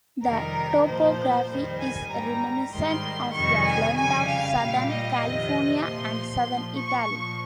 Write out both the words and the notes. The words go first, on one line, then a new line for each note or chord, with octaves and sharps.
The topography is reminiscent of a blend of Southern California and Southern Italy.
F2 C3 D#3 G3 A#4
A#2 F3 C5
F2 D#3 G3
G#5
G#2 G3 A#5
G#2 D#3 G3 C6
F2 C3 D#3 G3 C#6
G#5
F2 C#3 G3 G#5
F5
A#2 G3
D#5
F2 C3 D#3
A#2 F3 C6
A#2 F3
C#6
A#2 F3